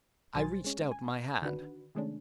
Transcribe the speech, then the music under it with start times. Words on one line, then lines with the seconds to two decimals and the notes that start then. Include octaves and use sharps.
I reached out my hand.
0.35 B1 F#3 C5 G#5 C6 A6
0.64 G#3 C#4
0.91 G#5
1.42 D3 D#3 D4 F#4 B4
1.95 C3 D#3 G#3 A3 C#4 D4